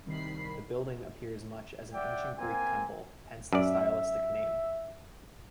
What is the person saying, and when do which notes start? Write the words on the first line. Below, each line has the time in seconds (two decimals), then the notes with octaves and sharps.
The building appears much as an ancient Greek temple, hence the stylistic name.
0.06 C2 D#3 B5 C7
1.94 D5 E5 F#5 G5
2.37 A#3 C4 G#5
3.53 F#2 D5 E5